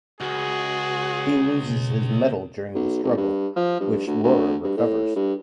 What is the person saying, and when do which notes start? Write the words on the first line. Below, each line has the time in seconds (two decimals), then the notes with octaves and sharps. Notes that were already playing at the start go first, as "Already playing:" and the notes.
He loses his medal during the struggle, which Laura recovers.
0.21 C#2 F#4 G#4
1.70 B2
2.75 B1
3.03 G#1
3.17 G2
3.56 F3
3.80 G2
4.07 D2
4.24 D2
4.64 G2
4.77 A2
5.16 G2